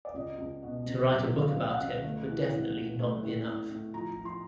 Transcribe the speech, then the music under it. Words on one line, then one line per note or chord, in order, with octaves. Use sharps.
To write a book about him would definitely not be enough.
D5
C#2 D#5
C#2
B2
C#2
F#3 E5
C#2
F5
C#2 F5
F#5
C#2
A3
E3
A2
A2
A3
A2
A2
A2
F3 A#5
F3
C6